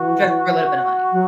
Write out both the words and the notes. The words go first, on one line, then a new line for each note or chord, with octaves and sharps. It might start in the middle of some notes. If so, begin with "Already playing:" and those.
just for a little bit of money.
Already playing: E3 F#4
F#3